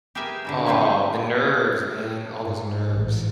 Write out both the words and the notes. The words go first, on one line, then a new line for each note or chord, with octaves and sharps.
Aw, the nerves, man. All those nerves.
G4 G#4 A#4 B4 E5 G#5
D3 E4 F#4
C#3 C4 B4 C#5
G#2
A1